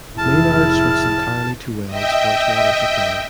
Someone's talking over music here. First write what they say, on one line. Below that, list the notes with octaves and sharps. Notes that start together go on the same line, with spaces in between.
Maynard switched entirely to wells for its water supply.
F1 A2 E4 G#4 A5 F6
D#5 E5 G5